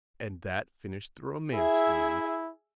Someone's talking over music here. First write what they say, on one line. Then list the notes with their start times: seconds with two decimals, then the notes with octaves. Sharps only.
"And that finished the romance, Louise."
1.54 E4 G#4 E5